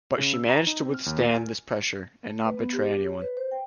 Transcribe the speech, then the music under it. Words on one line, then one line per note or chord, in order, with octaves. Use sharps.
But she managed to withstand this pressure and not betray anyone.
C#3
E6
A#5
D#4
C4
F6
D#2
A#2
G#5
A3
B4
B3
G4
G4
C#5
B4
C5
G5